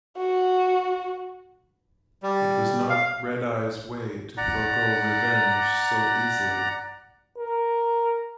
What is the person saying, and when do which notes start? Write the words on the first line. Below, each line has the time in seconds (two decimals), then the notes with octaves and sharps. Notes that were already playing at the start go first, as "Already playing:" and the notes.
It was not Red-Eye's way to forego revenge so easily.
0.17 F#4
2.23 G3
2.90 F5
4.37 D5 F#5 A#5
7.37 A#4